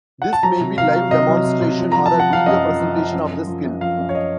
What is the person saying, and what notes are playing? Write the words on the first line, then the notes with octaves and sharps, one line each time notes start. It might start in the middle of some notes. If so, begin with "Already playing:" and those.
This may be live demonstration, or a video presentation of the skill.
F#5
A5
F#3 A#5
C3
C3 F5
F#3
C3 D#5
F#3
C3
C3
F3
F3 A#5
A5
F3
F#5
F3 F5
F#2 D#5
F3
F3
F3
F#2
F#2
F3
F#2
F3 F5
F#2
C#5
D#5